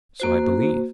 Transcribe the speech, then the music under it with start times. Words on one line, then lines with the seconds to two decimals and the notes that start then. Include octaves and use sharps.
So I believe.
0.20 A#3 F#4 C5